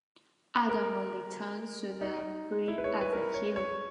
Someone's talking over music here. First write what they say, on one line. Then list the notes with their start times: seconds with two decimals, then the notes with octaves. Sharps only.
Adama returns to the fleet as a hero.
0.69 A#4
2.01 D#4
2.68 E4
2.78 B4
2.84 C#5
3.01 B4
3.13 A#4
3.17 B4
3.34 C#5
3.56 C#5